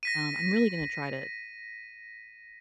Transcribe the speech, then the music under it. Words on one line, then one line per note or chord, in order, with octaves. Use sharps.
Um, I'm really gonna try to
A#6 B6 D#7